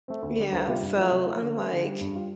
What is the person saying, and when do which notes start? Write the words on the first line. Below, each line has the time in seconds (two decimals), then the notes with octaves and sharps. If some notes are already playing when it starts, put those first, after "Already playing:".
yeah, so I'm like,
0.08 A3 C4
0.22 D2
0.37 D3 G3
0.52 D2
0.67 C3 G3 F4
0.82 G2
0.96 F3 A3 F4
1.12 C3
1.26 F3 A3 F4
1.41 D3
1.56 A3 C4
1.71 D3
1.85 G3 D4 G4
2.01 G2
2.15 G3 F4